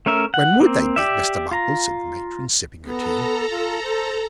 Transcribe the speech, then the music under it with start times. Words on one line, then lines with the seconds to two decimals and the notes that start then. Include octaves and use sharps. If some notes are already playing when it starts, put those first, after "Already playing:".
When would they be, Mr. Bumble?' said the matron, sipping her tea.
0.06 A3 C#4 A#4 E5
0.34 F#5
0.61 A#3 C4
0.96 G4 D5 E5
1.51 F4 A#5
2.84 B3 A4 A#5
3.50 F4
3.83 C5